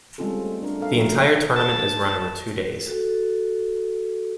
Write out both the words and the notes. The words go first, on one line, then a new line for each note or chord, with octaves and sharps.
The entire tournament is run over two days.
G3 G#3 C4 C#4 F4 A4
A3
D4 A#4
A4 A#4 F5
F3 A#3 E4 F#4 A#4
C#5
A5
F#4 A4